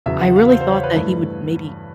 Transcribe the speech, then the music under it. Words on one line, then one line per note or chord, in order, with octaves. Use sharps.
I really thought that he would maybe,
E2 C#3 F#3 E5
F#5
F5
C5
C5
C#5
B4
G2 E3 A3